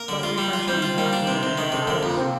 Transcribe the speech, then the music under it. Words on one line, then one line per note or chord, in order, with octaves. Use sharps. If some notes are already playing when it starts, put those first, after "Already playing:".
But we Frenchmen have the liberty of the press.
Already playing: A#3 A#4
D3
F4
G3
F4
G3 C4 C5
F4
G3 A#3 A#4
D4
C3
C3
D#3
C3
A4
D3 A#3 A#4
F2
A#3
C3 C4